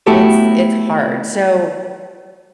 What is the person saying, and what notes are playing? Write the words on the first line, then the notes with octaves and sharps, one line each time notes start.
It's it's hard. So
A3 B3 E4 F#4 G4 A4